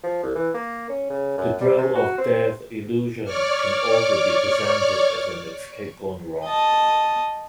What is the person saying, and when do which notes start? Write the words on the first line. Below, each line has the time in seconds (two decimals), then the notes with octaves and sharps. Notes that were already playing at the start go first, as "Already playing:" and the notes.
The Drill of Death illusion can also be presented as an "escape gone wrong".
0.03 F3
0.23 C2
0.35 E3
0.54 A#3
0.89 C#4
1.10 C#3
1.38 F#2
1.61 G3
1.78 C3
1.95 F#4
2.18 C4
3.24 C#5 D5 C#6 D6 F6
6.44 D#5 A5